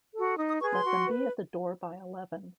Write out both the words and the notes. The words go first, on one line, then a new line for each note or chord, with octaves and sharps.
Let them be at the door by eleven.
F#4 A4
D#4 D#6
D#6
G#4 B4 C#6
C6
F#4
B4